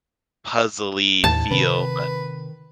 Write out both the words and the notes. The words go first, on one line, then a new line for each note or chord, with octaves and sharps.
puzzle-y feel but,
D#2 A2 A5
C3 D#3 B4